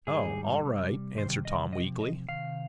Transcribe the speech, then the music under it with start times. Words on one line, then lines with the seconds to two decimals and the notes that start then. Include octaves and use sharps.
"Oh--all right," answered Tom, weakly.
0.07 G#2 D#3 G3 G#4
0.62 C3 G3
1.17 C3 D#3 G3 C5
1.45 D#5
1.72 C3 F3 D#5
2.01 D#5
2.29 C3 D#3 F5